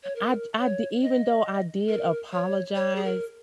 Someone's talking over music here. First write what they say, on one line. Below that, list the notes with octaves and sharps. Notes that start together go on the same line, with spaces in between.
I d I di even though I did apologize,
C#5
A#4
C#5
D#5
A#4
C#5
C#5
G#4
A#4